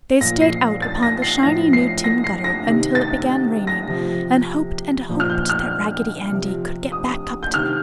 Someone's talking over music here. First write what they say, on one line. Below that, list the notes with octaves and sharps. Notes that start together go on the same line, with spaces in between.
They stayed out upon the shiny new tin gutter until it began raining and hoped and hoped that Raggedy Andy could get back up to them.
A#2 F3 A#6
C7
A6
A#6
C7
A2 F3 A#6
C7
A#6
C7
A#6
C3 D#3
A6
A#6
C3 F3
A#2 F3
F6
G6
F6
C3 F3
D#6
G6
C3 D#3 F6